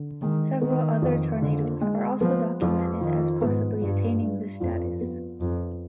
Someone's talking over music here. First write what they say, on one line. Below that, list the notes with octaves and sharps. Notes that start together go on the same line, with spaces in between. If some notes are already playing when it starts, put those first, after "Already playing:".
Several other tornadoes are also documented as possibly attaining this status.
Already playing: D3
D#3 G#3
D#3 B3
F2
D3
G#3
F3 B3
F2 F3
D#3 F3
G#2 B3
G2 F4
G2
F2 F3
B3
F2 F4